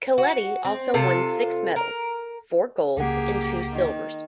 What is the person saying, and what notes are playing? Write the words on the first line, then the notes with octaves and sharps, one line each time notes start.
Keleti also won six medals: four golds and two silvers.
F#4
C4
C3 F4 A4
A#4
C#2 C#3 A#3 G4 G#4 F#5
D#3